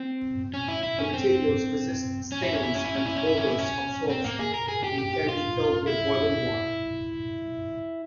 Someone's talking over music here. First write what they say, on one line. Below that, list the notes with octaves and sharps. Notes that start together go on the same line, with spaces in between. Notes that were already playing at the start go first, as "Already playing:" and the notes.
The materials resist stains and odors absorption, and can be filled with boiling water.
Already playing: C4
C#4
E4
E4
C#4
C4
C#4
E4
C#4
E4
C#4
E4
C#4
E4
C#4
E4
C#4
E4
C#4
C4
A#3
G#4
A#4
G#4
G4
G4
G4
F4
E4